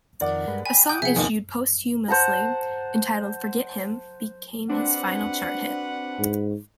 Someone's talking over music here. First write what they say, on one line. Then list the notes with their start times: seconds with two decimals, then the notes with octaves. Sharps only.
A song issued posthumously entitled "Forget Him" became his final chart hit.
0.21 F2 D#3 A#4 D5 F#5
0.48 G2 G#3 B4
0.66 G5 G#5 B5
0.89 F#5 D6 D#6 G6
1.02 C3 F3 B3 G#4 E5 F#5
1.16 D#2 D#3 G#5 D#6
2.08 C5 F#5 A5 A#5
4.69 C4 D4 F#4 B4 F#5
6.19 G#2